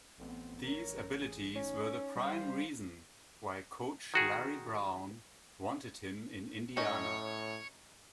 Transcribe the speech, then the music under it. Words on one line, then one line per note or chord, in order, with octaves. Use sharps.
These abilities were the prime reason why coach Larry Brown wanted him in Indiana.
A1 B3 C4
A#4 C#5
G#4
C#4 D#4
G3 C5 F5
D#3 F#4 G#4
A2 C#4 D#4 C#5